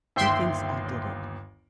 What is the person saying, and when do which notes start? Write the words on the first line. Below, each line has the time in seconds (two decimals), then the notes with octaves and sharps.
He thinks I did it.
0.16 G1 D#2 E5 G5 C6